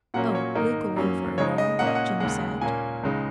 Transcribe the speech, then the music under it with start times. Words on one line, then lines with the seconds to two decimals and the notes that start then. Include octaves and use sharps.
"Oh, we'll go over, Wal," Jim said.
0.14 A#2 F#3 A#3 C#4 F#5
0.35 C#5
0.55 G#2 D#3 A#3 D#4 A#4
0.96 F#2 F#3 A#3 C#4
1.38 C#3 G#3 D#4 C#5
1.58 D#5
1.79 A#2 A#3 C#4 F#5
1.87 D#5
1.95 F#5
2.20 D#2 C#3 G#3 F#5
2.61 A#2 A#3 C#4 G#5
3.03 C#2 C#3 G#3 D#4